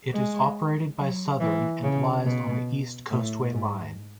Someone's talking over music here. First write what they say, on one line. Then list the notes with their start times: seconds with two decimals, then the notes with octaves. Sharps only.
It is operated by Southern and lies on the East Coastway Line.
0.13 G#3
0.98 F#3
1.40 E3
1.83 C#3
2.25 B2
3.11 A2
3.52 G#2